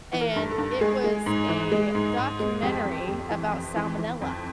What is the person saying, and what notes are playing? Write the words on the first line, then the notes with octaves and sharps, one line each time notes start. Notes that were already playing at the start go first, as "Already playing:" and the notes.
and it was a documentary about salmonella.
E3
A#4
G2
A4
G2
G#3 G#4
G#3
G#2
E3
G#3
G#2
G#2
G#3
F2 G4
F2
F2
E3
F2
E3
E3
F2